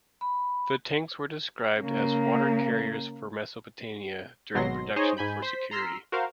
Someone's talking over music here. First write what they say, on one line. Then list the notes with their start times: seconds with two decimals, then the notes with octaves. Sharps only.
The tanks were described as "Water carriers for Mesopotamia" during production for security.
0.21 B5
1.81 C#3 A#3
4.54 G#1 B2 F#3 C6 A#6
4.96 D#4 G#4 C5 C#5 D#5
5.17 G#2 G#5 B5 G6
5.42 C5 B6
5.71 A#5 C6 E6 F6 B6 C7
6.12 F#4 A#4 C5 F5